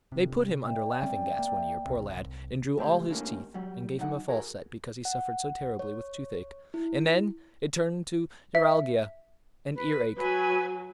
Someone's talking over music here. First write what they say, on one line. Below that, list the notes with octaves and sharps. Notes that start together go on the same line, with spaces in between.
They put him under laughing-gas one year, poor lad, and drew all his teeth, and gave him a false set, because he suffered so terribly with toothache; and then it turned to neuralgia and ear-ache.
G1 C3
D5 E5 G5
G3 C4 C#4
A#3
D#1 B1 C3
C2
C#2 A3 G4 E5 C6
G3 A3 A#3 C#4 D4 E4
F#3 G3
F#3 D#4 F#5
F#4 G#4 A#4
F#5
C#5
E4
E5
B4
F#3 B4 G#5